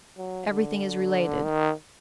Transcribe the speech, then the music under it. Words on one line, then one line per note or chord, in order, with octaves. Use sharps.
Everything is related.
F#3
D3
D#3